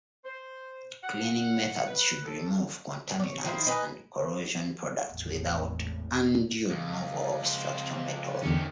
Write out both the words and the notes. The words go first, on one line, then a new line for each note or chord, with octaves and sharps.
Cleaning methods should remove contaminants and corrosion products without undue removal of structural metal.
C5
F#5
B4
A4
C#5 D5
D#3 F3 E4 C5
D#4 B4 G#5
G#1 E2 A2
C#2
F2 C5
E2 D3 D#3 A3 C#4 G4